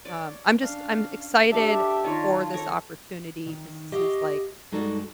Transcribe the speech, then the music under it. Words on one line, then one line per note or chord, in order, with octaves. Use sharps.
Um, I'm just I'm excited for this opportunity 'cause this is, like,
C#5 D5
C#4 D4 F5
D4 G4 A4 E5 F5 A5
D#3 F4 C#5 D5
F4 A4 C#5 A#5
D#3
F#4 G4 D#5 F5
G2 G#3 D#4 F#4 A4 D5